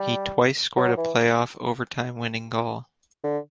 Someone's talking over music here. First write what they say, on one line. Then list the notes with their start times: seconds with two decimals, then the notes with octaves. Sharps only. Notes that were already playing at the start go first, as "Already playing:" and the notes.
He twice scored a playoff overtime winning goal.
Already playing: G3
0.77 F#3
0.97 E3
3.24 D3